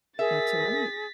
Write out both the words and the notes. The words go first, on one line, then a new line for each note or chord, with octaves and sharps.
That's right.
G#4 A#4 E5 A6 B6